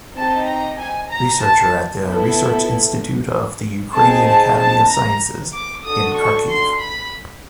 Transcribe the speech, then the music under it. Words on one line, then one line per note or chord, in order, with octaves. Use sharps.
Researcher at the Research Institute of the Ukrainian Academy of Sciences in Kharkiv.
C4 D#4 G4 A5
A#5
G#5
A#5
A5
B3 E4 A4
C4 D#4 G#4 A5
A5
A5
A#5
D6
D4 F#4 A4 D#6
C#6
C6
B5